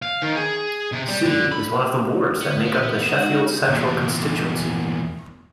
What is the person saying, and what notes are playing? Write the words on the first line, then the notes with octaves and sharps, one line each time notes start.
City is one of the wards that make up the Sheffield Central constituency.
F5
D#3
G#4
C3
G3
D3
B5
D3 B3
A#2 E3
G#3 D#4 F#4
E2 A#2